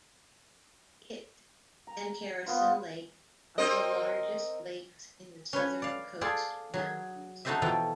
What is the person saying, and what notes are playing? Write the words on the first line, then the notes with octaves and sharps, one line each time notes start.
It and Harrison Lake are the largest lakes in the southern Coast Mountains.
A#5
B3 F4 C5
C4 A#4 D#5
C#4 B4 C#5
D5 F5
F4 G#4 A4 C5 D5
F#3 G#4
D#4 F#4 A4 C5 D#5 E5
B2 E3 F3 F4 A4 G5